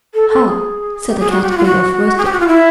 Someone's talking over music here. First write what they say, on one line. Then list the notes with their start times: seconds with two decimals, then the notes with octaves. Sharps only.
"Ha!" said the Cat-made-of-worsted.
0.14 A4
0.29 A4
0.45 G#4
1.07 G4
1.19 G#4
1.30 F#4
1.42 G4
1.50 F#4
1.57 F4
1.65 F#4
2.18 G#4
2.25 G4
2.32 F#4
2.40 F4
2.48 E4